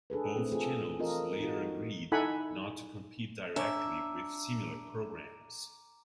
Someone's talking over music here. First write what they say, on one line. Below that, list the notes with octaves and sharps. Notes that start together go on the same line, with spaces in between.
Both channels later agreed not to compete directly with similar programmes.
D4 G#4 A4 B4
A3 C4 E4
F3 F4 G#4 A4
E3 C4 F4 A4 A#4 D#5
D#4 F#4
D#4 E4 A4 F#5 G#5 B5
C#4 D4 E5 A#5 D6